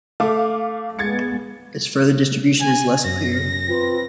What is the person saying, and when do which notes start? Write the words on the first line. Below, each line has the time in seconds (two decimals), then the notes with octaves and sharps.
Its further distribution is less clear.
0.20 A3 F5 D6
0.99 G#3 B3 G#6 A6 C#7
2.60 G#5
3.04 F#2 A#6
3.68 C4 F4 B4